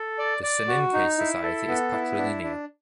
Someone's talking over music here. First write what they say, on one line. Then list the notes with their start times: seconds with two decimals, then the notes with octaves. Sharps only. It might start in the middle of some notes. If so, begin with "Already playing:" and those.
The Soninke society is patrilinear.
Already playing: A4
0.19 D5
0.43 D5
0.68 F#4
0.93 D#4
1.18 E4
1.43 A4
1.68 B3
1.93 E4
2.18 D4
2.43 D4